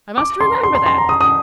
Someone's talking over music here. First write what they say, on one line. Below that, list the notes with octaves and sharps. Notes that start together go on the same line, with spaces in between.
I must remember that.
D6
C6
C6
C6
C6
A#5
D#6
D#6